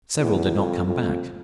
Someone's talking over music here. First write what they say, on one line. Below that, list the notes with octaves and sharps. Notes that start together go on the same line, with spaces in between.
Several did not come back....
E2
F2
F2